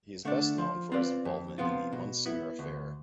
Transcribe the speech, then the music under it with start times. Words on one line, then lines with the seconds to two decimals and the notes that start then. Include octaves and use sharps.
He is best known for his involvement in the Munsinger Affair.
0.25 D3 A3 D4
0.58 F3
0.92 C4 F4 B4 D5
1.25 F2
1.58 C3 F3 B3 F4
1.93 B2
2.26 B3 E4
2.59 D2